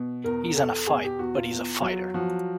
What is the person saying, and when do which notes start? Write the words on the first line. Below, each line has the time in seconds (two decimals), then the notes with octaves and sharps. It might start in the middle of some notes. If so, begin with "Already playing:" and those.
He's in a fight, but he's a fighter.
Already playing: B2
0.24 E2 A#4
0.56 E2 A4
0.87 B2 G#4
1.04 G4
1.19 E2 F#4
1.35 F4
1.51 E2
1.82 F#3
2.14 F3 F#4